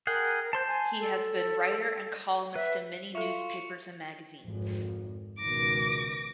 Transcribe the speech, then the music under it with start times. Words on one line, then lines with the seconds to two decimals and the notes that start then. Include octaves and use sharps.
He has been writer and columnist in many newspapers and magazines.
0.07 G#4 A#4 F#5 G5
0.53 C5 A5 C6 G6
0.68 G#5
1.01 A4
2.55 B4 E5
3.15 F4 A4 E5 C#6 C#7 F7
4.44 G#1 F2
5.38 C#2 B2 D#3 D6 A#6